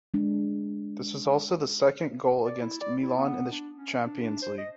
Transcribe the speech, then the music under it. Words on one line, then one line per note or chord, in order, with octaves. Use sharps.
This was also his second goal against Milan in the Champions League.
G#3 D4
D5
E4
D5
E4
B3
D4
C#4
D4
D4
C5
D#5